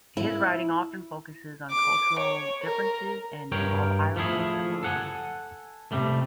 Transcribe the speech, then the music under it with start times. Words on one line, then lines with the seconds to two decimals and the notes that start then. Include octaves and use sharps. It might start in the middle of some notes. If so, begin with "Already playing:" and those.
His writing often focuses on cultural differences and involve irony and symbolism.
0.17 E4
1.71 D6
2.19 C#5
2.64 A#4
3.52 G2 A#4 C#5 G5
4.16 F3 A3 E4 G#4
4.83 A4 F#5 G#5
5.92 C3 G3 A3